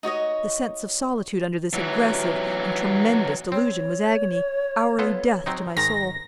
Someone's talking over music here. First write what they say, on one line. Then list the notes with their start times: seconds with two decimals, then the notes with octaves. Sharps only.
The sense of solitude under this aggressive and tremendous delusion was agony, hourly death to my soul.
0.03 D#4 F#4 C#5 D#5
1.73 E3 F#3
3.52 C4 C#5
4.99 B3 F4 A4
5.46 F#3 C4 D#4
5.77 G#2 D#3 A#5 A#6